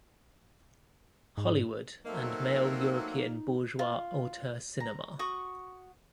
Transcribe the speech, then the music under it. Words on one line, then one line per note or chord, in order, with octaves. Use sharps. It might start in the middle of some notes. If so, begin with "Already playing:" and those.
Hollywood and male European bourgeois auteur cinema.
G#2
F#3 A3 A#3 C4 D#4
F4
A#5
F#4 C#6 D#6